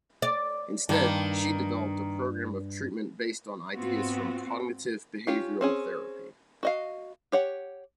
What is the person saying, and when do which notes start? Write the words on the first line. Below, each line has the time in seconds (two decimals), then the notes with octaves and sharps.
Instead, she developed a program of treatment based on ideas from Cognitive Behavioral Therapy.
0.22 D5
0.89 G2 D#3 A#3
3.74 G#2 B3 C4 F4 F#4
5.27 C#4 F4 G4
5.61 C4 C#4 G#4
6.63 F#4 D#5 F5
7.32 G4 C#5 F#5